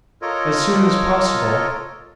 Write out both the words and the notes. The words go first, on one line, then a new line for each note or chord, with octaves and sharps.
"As soon as possible."
F4 A4 A#4 C#5 D#5